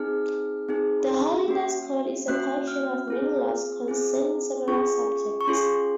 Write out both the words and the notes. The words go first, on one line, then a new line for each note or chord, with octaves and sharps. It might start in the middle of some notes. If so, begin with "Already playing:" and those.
The Holiness Code is a collection of many laws concerning several subjects.
Already playing: C4 D#4 G#4 F6
C4 D#4 G#4
A#3 C#4 F#4
A#3 C#4 F#4 F#6
F6
C4 F4 G#4
C4 F4 G#4
C#4 F4 G#4 C#6
C#6
C#4 F4 G#4 C6